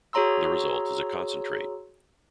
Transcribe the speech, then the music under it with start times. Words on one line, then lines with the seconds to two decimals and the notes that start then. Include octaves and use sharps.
The result is a concentrate.
0.13 F#4 G#4 C#5 A#5 C6 E6